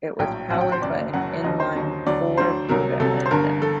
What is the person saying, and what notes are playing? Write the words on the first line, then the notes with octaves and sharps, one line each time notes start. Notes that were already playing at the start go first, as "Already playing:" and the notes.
It was powered by an inline-four Buda engine.
A#1 A2 F#3 G5
A#1 A2 F#3 F#5
G5
C5
F#1 F#2 F#3 D5
F#1 F#2 F#3 F#5
D#2 D3 F#3 D#5
C5
D#2 D3 F#3
D2 D3 F#3 D5
D2 D3 F#3 C5
C2 C3 F#3 A#4
C2 C3 F#3 A4
C5
G1 G2 D3 A#4
A4